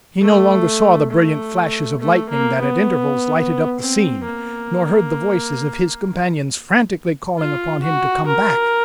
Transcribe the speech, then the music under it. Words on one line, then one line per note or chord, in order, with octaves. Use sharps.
He no longer saw the brilliant flashes of lightning that at intervals lighted up the scene, nor heard the voices of his companions frantically calling upon him to come back.
A3
A3
A3
A#3
B3
C4
A#3
F4
F#4
A#4